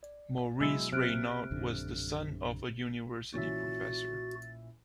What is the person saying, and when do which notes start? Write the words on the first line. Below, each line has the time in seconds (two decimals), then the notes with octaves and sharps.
Maurice Raynaud was the son of a university professor.
0.03 D5
0.61 B2 F#3 G#3 E4 E6
0.92 C3 F6 F#6 D7
1.51 A#1 F#2 D3
3.34 A#2 E3 C#4 F#4 E5 A6